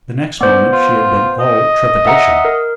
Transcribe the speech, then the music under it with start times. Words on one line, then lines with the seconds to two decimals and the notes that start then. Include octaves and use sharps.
The next moment she had been all trepidation.
0.41 B3 C5 D5
0.73 F4
1.40 D#5
2.05 E5 F#5 A#5
2.45 A#4